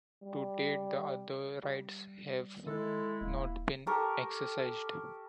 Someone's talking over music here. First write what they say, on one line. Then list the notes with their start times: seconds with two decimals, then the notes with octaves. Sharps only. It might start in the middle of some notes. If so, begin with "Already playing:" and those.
To date the other rights have not been exercised.
0.24 G3
1.63 G3
2.67 D#3 G#3 E4 A4
3.21 D#1 A#3
3.87 G4 A4 A#4 C#6